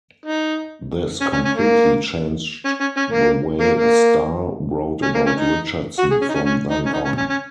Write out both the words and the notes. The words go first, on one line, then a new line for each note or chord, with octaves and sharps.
This completely changed the way Starr wrote about Richardson from then on.
D#4
C#4
C#4
C#4
A#3
C#4
C#4
C#4
A#3
A#3
A#3
C#4
A#3
C#4
D#4
F#4
G#4
C#4
D#4
C#4
C#4
D#4
C#4
D#4
C#4
C#4
C#4